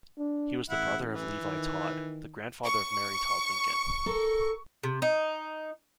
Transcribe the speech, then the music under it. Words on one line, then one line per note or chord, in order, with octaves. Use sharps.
He was the brother of Levi Todd, the grandfather of Mary Todd Lincoln.
D4
A1 E4 F#5
E3
D#3
C#6
A4 A#4
C3
D#4